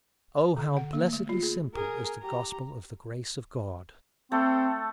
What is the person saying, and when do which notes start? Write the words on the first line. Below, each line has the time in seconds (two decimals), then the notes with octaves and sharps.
Oh, how blessedly simple is the gospel of the grace of God!
0.57 D3
0.77 F#5
0.93 A#3
1.13 A3
1.29 F4
1.43 G#4
1.74 G#4 A#4
2.21 G4 A#5
4.32 A3 C4 A4